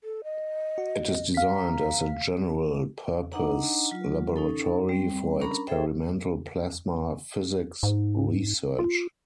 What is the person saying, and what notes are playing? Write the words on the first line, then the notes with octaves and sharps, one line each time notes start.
It is designed as a general-purpose laboratory for experimental plasma physics research.
A4
D#5
F#4
F5 B6
A#5
D4 D#4 D#5 F#5 A#5
F#3 F4
C#4 D#4 A4
G3 C4
C#4 D4 A#4 A#5 B5 C#6
G#4 A4 C5 E5 G5
G#2
F4